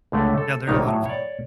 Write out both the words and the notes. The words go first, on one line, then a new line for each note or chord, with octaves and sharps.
Yeah, they're a lot of fun.
C#2 D3 A3
A4
A#1 D#3 G3 D#4 C#5
A2 F#3
C#5 D5